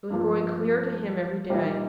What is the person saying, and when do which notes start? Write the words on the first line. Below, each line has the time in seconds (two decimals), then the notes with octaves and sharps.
It was growing clearer to him every day.
0.10 G2 F3 A#3 F4
1.49 A#2 G3 A#3 D#4 G4